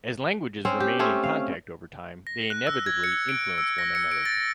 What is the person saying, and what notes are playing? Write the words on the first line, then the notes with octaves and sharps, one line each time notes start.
As languages remain in contact over time, they inevitably influence one another.
C4 C#4
G4
A3 C4 C#4
F5
A#6
F#6
E6
G#6
C#7
D7
E6
A#6
C#7
D7
A6